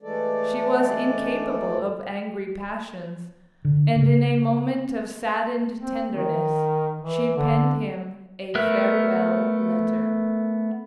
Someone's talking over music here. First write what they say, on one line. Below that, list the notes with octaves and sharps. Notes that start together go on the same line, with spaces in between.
She was incapable of angry passions, and in a moment of saddened tenderness she penned him a farewell letter.
E3 G#3 A3 A4 D5
D3
C#3
C4
D#3
E3
D3
A3 B3 A#4 E5 F#6